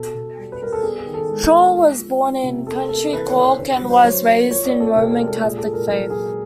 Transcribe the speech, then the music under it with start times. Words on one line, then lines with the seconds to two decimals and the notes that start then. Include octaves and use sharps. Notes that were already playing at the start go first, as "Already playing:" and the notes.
Shaw was born in County Cork and was raised in the Roman Catholic faith.
Already playing: B2 A4
0.15 B2
0.38 G3
0.52 B4
0.60 G3 A#4
0.73 A4
0.82 B3 G#4
0.98 G#4
1.06 D#3
1.14 A4
1.29 G#3
1.53 B3
1.75 G#3
1.98 F3
2.21 C4
2.43 C3
2.67 A#3 A4
2.89 A#3 A4
3.13 E3 B4
3.27 C#5
3.35 E3
3.44 C5
3.59 D3 C5
3.73 B4
3.82 F#3
3.90 C5
4.04 F#3 C#5
4.28 A#3
4.50 F3 C#5
4.65 D5
4.73 C4
4.80 A4
4.96 C3 A#4
5.11 A#4
5.19 G#3
5.27 A4
5.42 A#2 G#4
5.58 A4
5.65 A#2
5.73 A#4
5.88 F#3 A#4
6.10 A#2 G#4